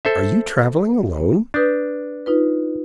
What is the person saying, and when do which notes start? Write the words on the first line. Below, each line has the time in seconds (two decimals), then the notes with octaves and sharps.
"Are you traveling alone?"
0.05 A4 C5 E5
1.54 D4 B4 D#6 G6
2.26 D#4 F4 B4